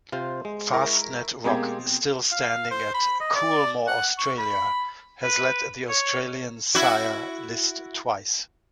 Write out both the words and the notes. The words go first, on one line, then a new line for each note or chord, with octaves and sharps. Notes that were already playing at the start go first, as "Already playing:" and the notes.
Fastnet Rock, still standing at Coolmore Australia, has led the Australian sire list twice.
C3 F4 C5
G#3
E4 A#4 C#6
B2 G#3 A#3 C4 G4 G#6
F5
C5
B5
D#5
D5
F#5
C#6
B5
B4
C#5
E4 F#4